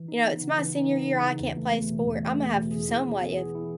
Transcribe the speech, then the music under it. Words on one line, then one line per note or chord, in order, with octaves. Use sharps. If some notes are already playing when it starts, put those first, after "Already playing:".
You know, "It's my senior year. I can't play a sport. Imma have some way of
Already playing: E3
D#4
B3
C#3
E3
D#4
B3
C#3
E3
E2
A3
E2
B2
E2
A3
E2
B2
G#4
E4
E3
B3
G#4
E4